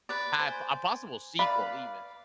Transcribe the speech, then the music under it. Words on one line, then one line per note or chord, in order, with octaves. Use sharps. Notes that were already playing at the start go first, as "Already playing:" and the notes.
had a possible sequel even,
B4 D5
C5 G#5
B4 D5 F5 B5